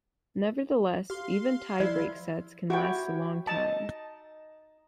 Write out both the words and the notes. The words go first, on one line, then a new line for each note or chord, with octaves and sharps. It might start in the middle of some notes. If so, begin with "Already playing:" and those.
Nevertheless, even tie-break sets can last a long time.
G4 F5 C6
F3 E4 D5
E4 F#4 G4 C#5 G5
D#4 D#5 A5